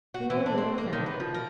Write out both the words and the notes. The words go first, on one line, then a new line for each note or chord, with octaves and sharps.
Poor little fellow!
F#4
E3
D4
C4
A#3
D#3
B4
F3
A#4